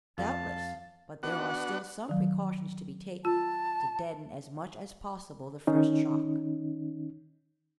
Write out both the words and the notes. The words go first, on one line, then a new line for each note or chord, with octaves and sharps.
"Doubtless; but there are still some precautions to be taken, to deaden as much as possible the first shock."
F2 F5 A5
B3 D4 F#4 F#5
D#3 F#3
F4 A5
D#3 C#4 D#4